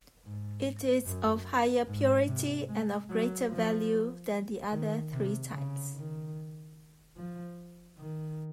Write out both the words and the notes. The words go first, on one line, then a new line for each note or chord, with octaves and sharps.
It is of higher purity and of greater value than the other three types.
G#2
F#2
G#2
C3
G#3
F#3
F3
D#3
C3
C#3
D#3
F3
D#3